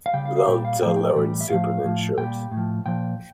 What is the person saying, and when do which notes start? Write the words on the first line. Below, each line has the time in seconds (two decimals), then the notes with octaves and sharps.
Blond toddler in superman shirt.
0.06 F5
0.13 C#3 G3 G5
0.25 F5
0.36 F5
0.48 A#2 G3 G5
0.65 F5
0.82 A2 G5
0.86 F3 F5
0.96 G5
1.16 A2 E3 G3
1.41 E5
1.50 A2 F3 F5
1.83 A2 F3
2.18 A#2 G3 G5
2.51 A2
2.57 F3
2.86 A#2 F3 G5